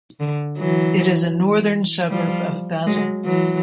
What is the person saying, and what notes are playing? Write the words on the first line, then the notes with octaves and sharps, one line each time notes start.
It is a northern suburb of Basel.
D3
E3 F#3
F3 G3
F#3 G#3
E3 F#3